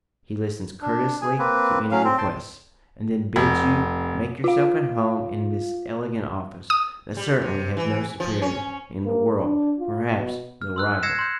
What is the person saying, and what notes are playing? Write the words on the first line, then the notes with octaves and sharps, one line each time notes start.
He listens courteously to any requests, and then bids you make yourself at home in this elegant office, that certainly has no superior in the world, perhaps no rival.
D4
G#4 G#5
A#3 C4 B4
F#3 C#4 F5
C4
G5 A5 C6
F1
F4 F5
D#6
G3
C3
E3
F3
C#4
A#3
D4
F4
B2
F6
C6 E6 F#6
E6 G#6 A#6 C7 C#7 E7
C6 G6